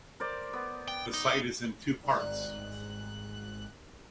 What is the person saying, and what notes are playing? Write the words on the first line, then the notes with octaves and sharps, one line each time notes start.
The site is in two parts.
A#4 C5 D5
B3
G5
D#4
D#3 G3
G#1 G#2 F#6